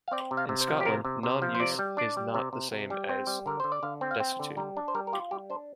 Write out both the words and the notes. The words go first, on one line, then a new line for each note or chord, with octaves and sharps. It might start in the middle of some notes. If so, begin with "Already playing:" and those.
In Scotland, non-use is not the same as desuetude.
F5
C4 D5
C3
F5
C3
C5
F3
G4
C3 A#4
C3
C3 C5
F3
C5
C3 D5
G3
D4 D5
G3
C3
C3
C3
G3
C4
G3
D3 A#4
D3 C5
D5
D3 F5
C4
F5
C4 G5
D3
G3 A#5
D4
C5
G3 A#4
A#4
F4 G4
G3 G4
D4 C5